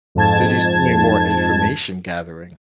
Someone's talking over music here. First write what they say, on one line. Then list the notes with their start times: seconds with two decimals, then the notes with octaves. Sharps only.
Did you send me more information gathering.
0.15 F2 G#2 A5 G#6